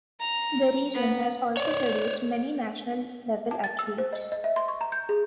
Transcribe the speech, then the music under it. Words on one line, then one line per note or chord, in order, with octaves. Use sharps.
The region has also produced many national level athletes.
A#5
B3
C#5 D5
A5
A6
E6
C5
D#5
D#5
E5
C6
C#6
A#5
G6
G#4